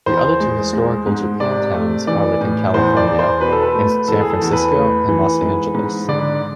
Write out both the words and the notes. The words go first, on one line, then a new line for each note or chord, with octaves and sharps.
The other two historical Japantowns are within California, in San Francisco and Los Angeles.
E2 C5
G#3
G#3
G#2
C3 D5
A3
E3 D5
A2
E2 C5
D5
E2
C5
B2 B4
A4
B4
A3
E2 A4
G#4
A4
E2
B4
A3
E3
G#2
G#2
D3 D5